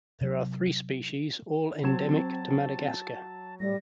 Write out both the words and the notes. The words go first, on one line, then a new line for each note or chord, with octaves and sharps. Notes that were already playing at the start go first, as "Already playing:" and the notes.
There are three species, all endemic to Madagascar.
C3 F#3
F#3 C4 A5 G#6 E7
A2 G3 A#6